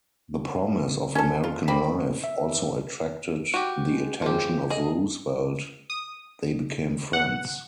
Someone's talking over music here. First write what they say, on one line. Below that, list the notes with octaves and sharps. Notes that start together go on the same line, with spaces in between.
"The Promise of American Life" also attracted the attention of Roosevelt; they became friends.
C#4 A4
F4
A#3 C4 B5
E5
F#4 G4
G#3
C#3 F3 C4 G4 G#4
C#3 G#3 A3 G#4 D#5
D#6
F#5